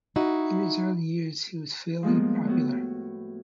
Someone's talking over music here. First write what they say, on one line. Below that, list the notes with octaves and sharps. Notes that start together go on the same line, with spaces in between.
In his early years he was fairly popular.
D#4 E4 F#4
F3 G3 G#3 A#3 B3
A2 B3 F#4